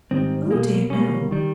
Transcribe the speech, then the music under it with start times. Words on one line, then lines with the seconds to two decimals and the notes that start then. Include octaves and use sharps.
'Oh dear, no!
0.11 G#2 D#3 G3 C4
0.51 B2 G3 A#3
0.90 B2 G3 A#3 C#4
1.31 D#3 G3